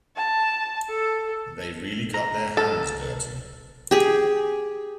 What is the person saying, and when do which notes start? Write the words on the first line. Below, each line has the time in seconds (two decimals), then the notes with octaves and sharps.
They really got their hands dirty.
0.16 A5
0.89 A4
2.14 A#5
2.57 A4 A5
3.91 G4 G#4